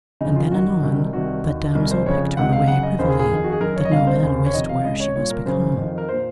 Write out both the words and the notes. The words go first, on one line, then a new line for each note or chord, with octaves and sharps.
And then anon that damosel picked her away privily, that no man wist where she was become.
F2 C#3 D#4
F4
F#2 D#3 F#4
C2 C3 D#3
C2 C3 D#3 F#4
D#2 D#3
C2 C3 D#3 A#4
C5
F2 C#3 C#5
C#2 C3 D#3 F#5
F5
F#2 C#3 F#5
D#5
D#2 C#3 C5
G#4
G#4
F2 D#3
F#4
G#4
F#2 D#3 A#4
C#5
D#5
C2 C3 D#3 F5
C5
D#2 C#3
C#5
F2 C3 D#3 D#5
F5
C#2 C#3 D#5
C#5
C2 A#2 C#5
A#4
F#2 C#3 C5
F2 D#3
A#4
A#2 C5